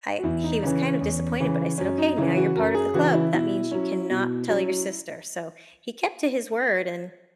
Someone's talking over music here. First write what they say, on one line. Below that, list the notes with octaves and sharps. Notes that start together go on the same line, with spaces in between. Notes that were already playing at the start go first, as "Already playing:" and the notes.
I he was, kind of disappointed, but I said, "Okay, now you're part of the club. That means you cannot tell your sister," so he kept to his word, and,
F#4
E2 E4
D#4
C#3 E3 C#4
C#4
E2
C#3 E3
F#2 C#4
D#4
C#3 E3 E4
F#4
F#2 A#4
G#4
C#3 E3 F#4
E4
B2 E4
F#3 C#4
B2
F#3 C#4